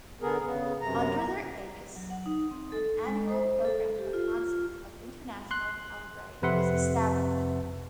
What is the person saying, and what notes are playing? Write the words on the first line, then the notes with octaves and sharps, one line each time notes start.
Under their aegis an annual programme of concerts of international calibre was established.
D3 B3 G#4 A#4
C#3 B3
F#2 C3 A#5
F#3
F#5
D#4
C4
A4
G#3
C5
A4
G4
F4
F4
C6 F#6
F2 C3 B4 E5 F#5 C6